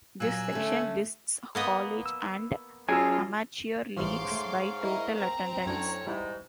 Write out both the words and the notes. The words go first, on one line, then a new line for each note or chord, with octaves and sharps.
This section lists college and amateur leagues by total attendance.
A#2 F#3 G#5 E6 F#6
D3 A3 C#4
A#3 B3 D#5
E6
F#3 C#4 F4 G#4 G#5 E6
A1 G#2 E3 F3 C#5 F5 C6 D6
A3
E4 A#4 D#5
C4 A#5
F#2 A2 C#4 D4 C#5
E2 G#2 G3 E4